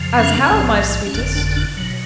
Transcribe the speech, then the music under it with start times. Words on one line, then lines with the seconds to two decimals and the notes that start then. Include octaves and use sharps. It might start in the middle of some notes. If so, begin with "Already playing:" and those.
"As how, my sweetest?"
Already playing: F2 C#3 F3
0.19 C#4
0.28 D4
0.38 C#4
0.50 B1 A2 F3
1.06 C#4
1.14 G1 F2 D3 D4
1.35 D4
1.56 D4
1.77 B2 F#3